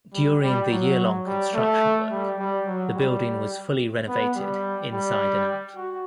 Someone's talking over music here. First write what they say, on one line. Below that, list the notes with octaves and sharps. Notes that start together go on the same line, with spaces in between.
During the year-long construction work, the building was fully renovated inside and out.
G3
G3
F#3
G3
A3
G3
G3
F#3
G3
B3
G3
G3
F#4